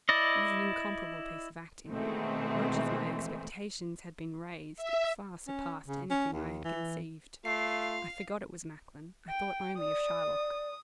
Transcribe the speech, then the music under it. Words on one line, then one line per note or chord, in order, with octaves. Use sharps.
It was an incomparable piece of acting: much as my expectations had been raised, it far surpassed any thing I had conceived--I forgot it was Macklin, I thought only of Shylock.
E4 D5 D#5
B2 D#3 E3 G#3 A3 C4
E5
C#4
C#3
C#4
D#2
E3
A3 F4 F5 C7
G5
D5 D#6